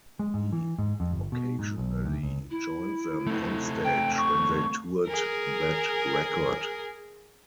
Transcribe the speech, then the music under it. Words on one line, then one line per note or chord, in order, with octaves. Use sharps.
He occasionally joined them on stage when they toured that record.
G#3
G#2
E3
G#2
F2
G1
B2
G#2
B1
D2
C#2
E4
A3 C4
G5
C#6
G#4 A#4